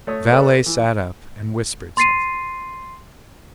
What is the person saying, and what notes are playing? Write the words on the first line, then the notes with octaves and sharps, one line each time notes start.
The valet sat up and whispered something.
A3 C#5 D#6
A4 B4 D5
E3
C6 A6 C7 D#7